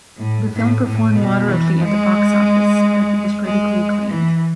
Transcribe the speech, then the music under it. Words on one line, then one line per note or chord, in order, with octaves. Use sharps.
The film performed moderately at the box office, but was critically acclaimed.
A2
A2
A2
B2
E3
G#3
G#3
E3